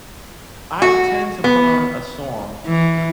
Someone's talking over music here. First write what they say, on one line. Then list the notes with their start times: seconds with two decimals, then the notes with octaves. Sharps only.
I tend to put on a song
0.82 F#4
1.44 B3
2.67 E3